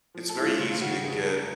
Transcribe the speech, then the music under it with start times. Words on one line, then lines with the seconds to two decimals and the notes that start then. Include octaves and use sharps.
it's very easy to get
0.15 F3
0.29 A4
0.37 G#3 E4
0.44 F4
0.59 C#3 F4
0.70 F4
0.81 C#3 F#4
0.93 G4
1.04 F1 G#4
1.26 F1 A#4